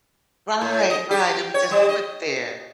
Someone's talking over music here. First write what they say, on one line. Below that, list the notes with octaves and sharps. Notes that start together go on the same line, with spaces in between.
Right, right, it was just put there.
A2
D#5
G4
C#5
G3
D#5